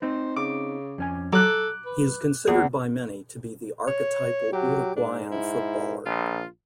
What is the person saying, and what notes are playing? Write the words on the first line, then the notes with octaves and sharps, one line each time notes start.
He is considered by many to be the archetypal Uruguayan footballer.
C4 D#4 C5
C#3 D6
F2 C#4 G#5
F#3 A4 A#5 D6 F#6
B4
E2 A#3 G4 G#4
C#5
F#3 G4
G#2 D4
E4
A#1 F4